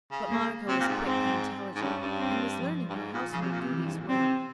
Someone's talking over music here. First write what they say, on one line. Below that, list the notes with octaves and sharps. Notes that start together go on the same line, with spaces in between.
But Monica was quick and intelligent, and was learning her household duties well.
C#3
A#3
C3 C4
A#2
G#2
C4
G#2
G2 C#4
G2
C4
F3
G2
G#2
A#2
C#3 F3
C3
A#2
C3
E3
G2
G#2
A#2
C3 C4